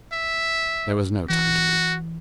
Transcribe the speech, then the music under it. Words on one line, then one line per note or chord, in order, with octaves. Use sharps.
There was no time to lose.
E5
E3 F#4